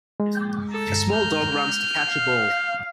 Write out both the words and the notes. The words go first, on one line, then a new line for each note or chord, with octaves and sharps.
A small dog runs to catch a ball.
G#3
A4 A#5
F6 G6
F5